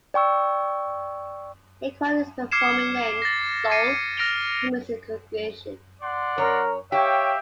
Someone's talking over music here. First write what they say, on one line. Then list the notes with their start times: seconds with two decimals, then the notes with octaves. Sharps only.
He acquired his performing name, "Soul," from his congregation.
0.14 D5 G5 C#6 E6
2.52 D6 F6 G#6 C7 C#7 E7
3.22 A6 A#6
3.70 D6 G#6 A#6 C7 C#7 D#7
4.17 F6 A#6 D7 F7 G7
6.01 D5 F#5 C6
6.38 F#2 A#4 C#5
6.92 G4 C#5 E5 F5 G5